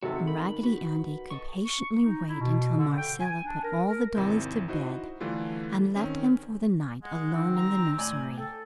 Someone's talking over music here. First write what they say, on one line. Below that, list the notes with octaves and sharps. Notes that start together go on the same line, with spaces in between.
Raggedy Andy could patiently wait until Marcella put all the dollies to bed and left them for the night, alone in the nursery.
G#1 C3 F#4 A4
D#3 B5
F#4 B4
A4 D#5 C#6
C#6
D#4
E4
B2
D3
G5
G#5
D4
A#4
A#4
G#1 C3 E4 G6
D#4 E4 F#4 C5 D#5
D3 E3 G3 A3 F4
D#3 C4 C#4
G#3 F#5
D#3 C4
A#5
A2 D5 G#5 F#7
A4 G5